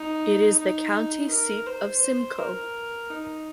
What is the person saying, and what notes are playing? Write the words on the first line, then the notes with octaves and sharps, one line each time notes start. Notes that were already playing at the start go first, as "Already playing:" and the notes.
It is the County seat of Simcoe.
Already playing: D#4
D#4
A#4
C5
C5
A#4
D#4